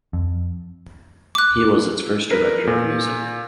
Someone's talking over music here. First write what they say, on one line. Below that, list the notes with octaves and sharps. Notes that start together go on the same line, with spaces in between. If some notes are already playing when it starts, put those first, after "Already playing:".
He was its first director of music.
F2
D6 F#6
A#4 B4
A#2